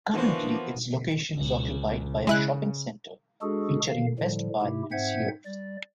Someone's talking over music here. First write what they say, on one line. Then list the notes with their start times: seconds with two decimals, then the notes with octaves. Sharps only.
Currently its location is occupied by a shopping center featuring Best Buy and Sears.
0.14 E3 F3 A#3 B3 D4 F#4 C5
1.36 C#2
2.27 C#3 G#3 E4 F#6
3.42 G#3 D4 F#4 G#4 A4
3.86 D3 D#3 F5
4.19 A2 D3 F3 G3
4.61 G#2 C3 A3 E4 G4
4.92 G#2 C4 C5 E5 F#5 G#6
5.46 G3 D5